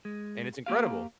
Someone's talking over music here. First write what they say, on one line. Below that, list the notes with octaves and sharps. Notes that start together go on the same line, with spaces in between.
And it's incredible.
G#3
A#3 G4 F5